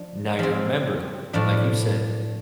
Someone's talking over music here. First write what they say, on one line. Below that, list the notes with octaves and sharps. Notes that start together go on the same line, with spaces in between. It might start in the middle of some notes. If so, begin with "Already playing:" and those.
now you're a member th like you said.
Already playing: F3 D4
F3 C4
A2 F3 D4